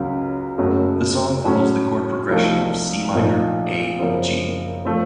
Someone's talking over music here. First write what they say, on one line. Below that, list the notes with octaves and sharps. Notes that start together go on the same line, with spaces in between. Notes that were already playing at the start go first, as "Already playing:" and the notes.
The song follows the chord progression of Cm–A–G.
Already playing: C#2 C#3 F#3 A#3
F#1 F#2 C#3 F#3 A3
A2 F#3 A3 C#4
C2 C3 F3 A3 D#4
A#1 A#2 F3 A3 D#4
F#1 F#2 F3 C4
F3 A3 C4